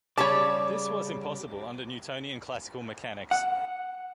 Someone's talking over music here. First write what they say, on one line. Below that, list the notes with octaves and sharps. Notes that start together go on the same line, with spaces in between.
This was impossible under Newtonian classical mechanics.
C#3 G3 C#5 G#5 A5 D6
F#5